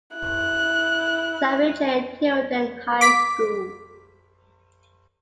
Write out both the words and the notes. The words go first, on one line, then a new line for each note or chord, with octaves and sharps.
Samuel J. Tilden High School.
E4 F#6
D6 B6